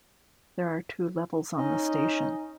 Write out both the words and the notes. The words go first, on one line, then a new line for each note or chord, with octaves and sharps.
There are two levels on the station.
C#4 D#4 D#5